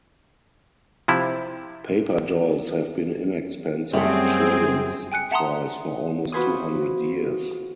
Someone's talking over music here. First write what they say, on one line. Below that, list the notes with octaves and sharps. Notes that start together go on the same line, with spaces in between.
Paper dolls have been inexpensive children's toys for almost two hundred years.
C3 F3 E4
F#2 G3 A3 C4 G#4
G5 G#5 F#6 C#7
E5 F#5 A5 A#5 C6 D#6
F4 F#4 B4 C5 G#5 D#6